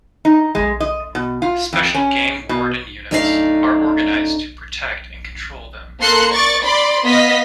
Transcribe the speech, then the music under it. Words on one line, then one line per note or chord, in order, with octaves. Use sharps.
Special game warden units are organized to protect and control them.
D#4
G#3
D#5
B2
F4
F2
C#4
B2
F#2 A3 D4 D#4 G#4 F5
A#3 A4 C6 F#6 C#7
D5 C#6 A6
D5 B5 C6
B3 D#5 F5 B6